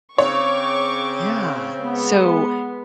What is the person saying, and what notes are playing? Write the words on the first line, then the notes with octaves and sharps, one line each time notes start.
Yeah, so,
C#3 C4 C#5 C#6 D6
G#3 B3